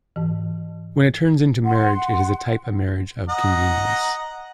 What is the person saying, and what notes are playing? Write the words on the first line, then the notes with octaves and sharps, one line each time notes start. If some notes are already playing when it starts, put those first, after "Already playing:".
When it turns into marriage it is a type of marriage of convenience.
G#2 E3
F#5 C6
D#5 F#5 A#5